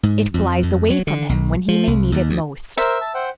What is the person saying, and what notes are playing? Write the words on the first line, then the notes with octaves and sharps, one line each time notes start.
It flies away from him when he may need it most.
G#2
F2
F2
F#3
D3
B1
F3
C2
D#2
D2
A#4 C5 E5
A5
C5 F#5 G5